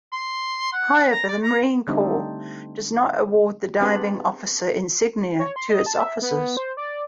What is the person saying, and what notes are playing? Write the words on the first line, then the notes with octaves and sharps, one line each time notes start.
However, the Marine Corps does not award the diving officer insignia to its officers.
C6
F#5
A#5
D5
A#5
D3 G3 A3 C4 D4 D#4
B3 C4 D4 G4 G#4 B4
C#5
C6
D#5
A5
E5
B3
C5
D5